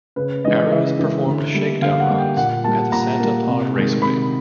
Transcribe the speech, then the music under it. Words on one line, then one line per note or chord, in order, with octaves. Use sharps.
Arrows performed shakedown runs at the Santa Pod Raceway.
C#3 B4
E3 G#3 D#5
C#3 E5
E3 G#3
D3
G3 A#3
D3 F5
F#5
G3 A#3
G5
A#2 F#5
G3 A#3 A5
A#2 A#5
G3 A#3
C3
D#3 G#3
C3 B5